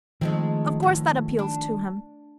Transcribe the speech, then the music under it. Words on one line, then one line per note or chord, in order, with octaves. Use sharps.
"Of course that appeals to him."
D#3 F3 G#3 A3 C4
E2 A2
D4